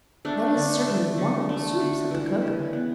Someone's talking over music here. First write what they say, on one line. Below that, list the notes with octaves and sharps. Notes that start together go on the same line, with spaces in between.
'That is certainly wonderful soup!' said the cook.
A3 D4
D3
A3
D3
A3
D3
E3
C#3
B3